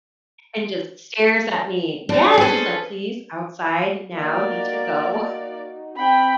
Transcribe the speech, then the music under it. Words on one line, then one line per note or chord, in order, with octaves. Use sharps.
and just stares at me. Yes, he's like, "Please, outside now, need to go."
F#3 D4
C#4 G#4 A4 B4 C5
A#3 D#4 F#4 D5
C4 G5 B5